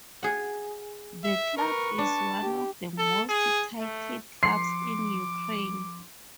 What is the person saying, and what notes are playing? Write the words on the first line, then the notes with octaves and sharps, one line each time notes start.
The club is one of the most titled clubs in Ukraine.
G#4 F#5
E5
A#4 B4 C#6
D4 A5
G4
A4
G#4
A3
F3 C6 D6 C7 C#7